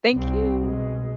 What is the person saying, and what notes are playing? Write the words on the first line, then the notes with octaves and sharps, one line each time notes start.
Thank you!
C2 C4
B2 G#3